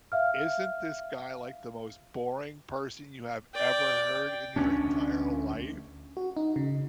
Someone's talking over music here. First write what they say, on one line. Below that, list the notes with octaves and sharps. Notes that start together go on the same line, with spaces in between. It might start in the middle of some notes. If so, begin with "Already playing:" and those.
"Isn't this guy like the most boring person you have ever heard in your entire life?
E5 F5 F6
D5 G5
D2 C#4 D4
F#4
D#4
C#3